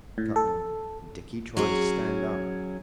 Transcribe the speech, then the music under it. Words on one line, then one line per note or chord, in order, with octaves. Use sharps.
He cut them, and Dickie tried to stand up.
A2
A4
F#3 C#4 G#4